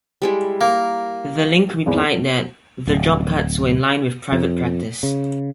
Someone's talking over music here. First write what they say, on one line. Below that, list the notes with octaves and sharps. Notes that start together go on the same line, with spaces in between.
The Link replied that "the job cuts were in line with private practice".
G3 G#3 E4
A#3 A#4
G#1 E2
D1
F2
C#3